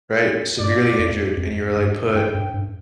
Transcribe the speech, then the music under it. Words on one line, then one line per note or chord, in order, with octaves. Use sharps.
right, severely injured and you were, like, put
G2 D5
F2
F2
G2
G2 G5
G2
G2